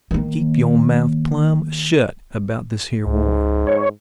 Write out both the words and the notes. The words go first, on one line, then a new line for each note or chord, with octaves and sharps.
Keep yo' mouth plum' shut about this here war.
D#3 A#3
C#2 G#2
C#5